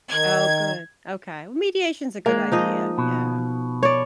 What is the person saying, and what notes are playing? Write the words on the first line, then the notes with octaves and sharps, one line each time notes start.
Oh, good, okay mediation's a good idea, yeah.
D#3 G#6
G#3 A#3
F3 D#4 D#5
B2
C#5 D5